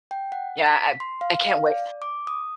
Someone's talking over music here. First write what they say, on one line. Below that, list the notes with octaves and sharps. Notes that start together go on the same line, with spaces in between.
Yeah, I I can't wait.
G5
F#5
B6
C6
F5
F5
D5
D6
D#6